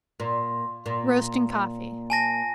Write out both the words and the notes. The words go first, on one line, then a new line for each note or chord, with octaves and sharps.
Roasting Coffee.
A#2
A#2
G#5 A5 A#6